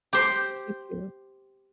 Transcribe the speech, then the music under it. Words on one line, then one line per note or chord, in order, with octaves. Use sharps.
me too.
G4 C5